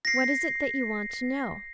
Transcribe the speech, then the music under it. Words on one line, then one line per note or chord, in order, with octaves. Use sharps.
What is it that you want to know?
A#6 C7